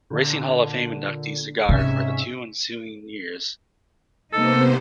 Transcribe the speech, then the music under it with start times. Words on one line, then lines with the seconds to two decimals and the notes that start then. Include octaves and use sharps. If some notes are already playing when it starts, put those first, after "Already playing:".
Racing Hall of Fame inductee Cigar for the two ensuing years.
0.11 A#2 D3
1.69 G#2 C3 C#4 E5
4.33 C3 A#3 B3 D#4 A4 C5